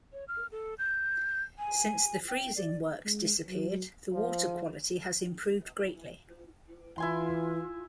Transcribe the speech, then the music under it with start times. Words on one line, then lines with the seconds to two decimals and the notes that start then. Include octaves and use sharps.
Since the freezing works disappeared the water quality has improved greatly.
0.13 C#5
0.28 F6
0.52 A4
0.79 G6
1.59 G#5
2.28 G5
2.56 D5
3.05 G#3
3.49 F#3
4.13 F3
6.98 E3 E4 F4 G#5 C6